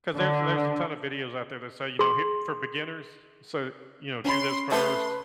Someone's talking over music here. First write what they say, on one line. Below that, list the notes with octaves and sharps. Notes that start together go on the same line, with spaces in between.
'Cause there's there's a ton of videos out there that say, you know, "Here" for beginners, so, you know, "Do this first."
D3
G#4 C6
C#4 B5 C6
A3 B4 C6